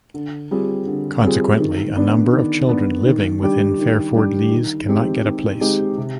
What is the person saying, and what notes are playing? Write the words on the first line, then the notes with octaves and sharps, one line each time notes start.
Consequently, a number of children living within Fairford Leys cannot get a place.
D3
G3 C4 F4 G#4
D3
G3 C4 F4 G#4
D#3
B3 D4
D#3
B3 D4
D#3
G3 D4 G4
D#3
G3 D4 G4
D#3
G#3 C4 D#4 G4
D#3
G#3 C4 D#4 G4
C3